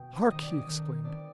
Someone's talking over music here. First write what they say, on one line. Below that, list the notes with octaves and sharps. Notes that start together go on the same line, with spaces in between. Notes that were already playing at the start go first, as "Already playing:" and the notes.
"Hark!" he exclaimed.
Already playing: B2 G5
C4
D#3 D#5
D5
C#4
D#5
D#3
D#3
C4 D5